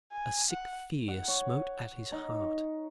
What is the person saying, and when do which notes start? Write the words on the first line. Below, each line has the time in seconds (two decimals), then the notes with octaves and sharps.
A sick fear smote at his heart.
0.12 G#5
0.50 F#5
1.08 F#5
1.28 C#5
2.12 D#4